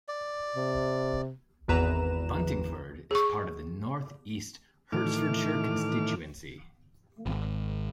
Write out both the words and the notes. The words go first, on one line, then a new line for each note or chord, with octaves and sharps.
Buntingford is part of the North East Hertfordshire constituency.
D5
C3
G#1 E2 B4 A#5 E7
G#4 C#6
A2 D#3 E3 A3 D6 F6
G#1